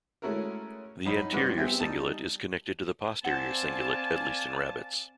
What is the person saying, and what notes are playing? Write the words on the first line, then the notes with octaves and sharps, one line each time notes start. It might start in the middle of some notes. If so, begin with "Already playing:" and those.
The anterior cingulate is connected to the posterior cingulate at least in rabbits.
G#3 A3 C#4 E4 F#4 A#4
F#2 D#4 B5
G2 G3 C4 B4 F#5 D6
B3 C4 G4 G#4 E5 G5
G3 D#4 A5
C4 D5 F5 F#5 G#5 A5 A6